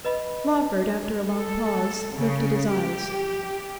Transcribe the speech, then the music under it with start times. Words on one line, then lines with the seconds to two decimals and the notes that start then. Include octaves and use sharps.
Lawford, after a long pause, lifted his eyes.
0.05 B4 D#5 B5
1.29 A4
2.14 C#3
2.72 G4